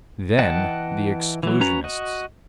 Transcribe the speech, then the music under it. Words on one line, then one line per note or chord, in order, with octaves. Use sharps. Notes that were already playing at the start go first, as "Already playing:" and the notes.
Then the exclusionists.
E3 D#5 F#5 G5 A5
E3 F#3
C#4 F#4 B4 A#5
F#4 D#5